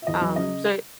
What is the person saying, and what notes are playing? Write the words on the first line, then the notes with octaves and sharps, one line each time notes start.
um, so
E5
E2 D#5
F#3
C#3 D#5